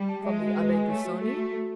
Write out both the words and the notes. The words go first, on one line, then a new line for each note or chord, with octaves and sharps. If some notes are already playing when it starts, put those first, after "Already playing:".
"From the Abbe Busoni?"
Already playing: G3
A5
G#3 E5
F#4
B4
G#5
A3 C#5
F#4
A3 A4
F#4
A4